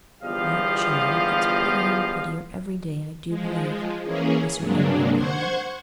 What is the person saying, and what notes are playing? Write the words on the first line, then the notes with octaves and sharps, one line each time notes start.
"That child gets prettier and prettier every day, I do believe," was her inward comment.
G1 E2 F3 G3 D#5 F5
F3 G#3
E3 A#3 C#4 G#4
G2 C3 F#3 G#3 A#3 D4
C5 F#5 C#6 G#6